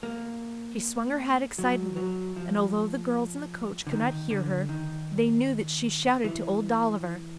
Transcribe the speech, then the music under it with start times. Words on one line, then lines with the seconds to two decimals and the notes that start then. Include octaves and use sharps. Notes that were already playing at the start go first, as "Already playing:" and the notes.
She swung her hat excitedly and although the girls in the coach could not hear her, they knew that she shouted to Old Dolliver.
0.03 A#3
1.58 F#3
1.96 F#3
2.36 F3
3.87 D3
3.92 D#3
4.30 D3
4.69 D#3
6.24 E3